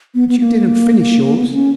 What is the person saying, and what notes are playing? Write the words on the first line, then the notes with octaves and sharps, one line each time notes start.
But you didn't finish yours.
B3
B3
A#3
B3
B3
C#4